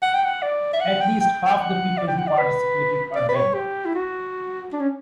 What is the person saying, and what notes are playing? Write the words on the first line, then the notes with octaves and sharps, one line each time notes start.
At least half the people who participated are dead now.
F#5
G5
F#5
D5
E5
F#5
G5
G5
F#5
D5
G5
F#5
D5
B4
D5
B4
C#5
G4
E4
F#4
D4
C#4